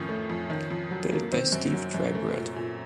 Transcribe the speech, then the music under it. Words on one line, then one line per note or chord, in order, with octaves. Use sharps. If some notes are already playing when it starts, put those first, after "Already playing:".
Built by Steve Drybread.
Already playing: F2 A2 D#3 C#4
A3
F2
D#3
F2
F#3
A#3
D#3 C4
F#2
F#3
F#2
A3
A#2
A#2